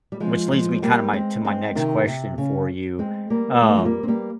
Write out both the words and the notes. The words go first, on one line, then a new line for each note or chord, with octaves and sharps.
which leads me kinda my to my next question for you, um
G3
F3 G#3
F3 G#3
G3 A#3
G#3 C4
G#3 C4
C3 D#3
C3
C#3
G#3 C4
G3 A#3
G#3
A#3
F3 G#3
G3 A#3
C4
G3 A#3